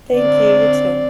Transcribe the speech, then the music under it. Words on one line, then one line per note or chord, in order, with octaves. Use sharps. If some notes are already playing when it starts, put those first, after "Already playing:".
Thank you, you too.
D3 C4 D5